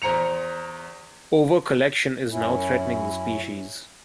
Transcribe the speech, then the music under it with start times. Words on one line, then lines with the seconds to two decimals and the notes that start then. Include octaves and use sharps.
Over-collection is now threatening the species.
0.02 E2 C5 A#5 C#7 F7
2.32 F#2 C#4 E4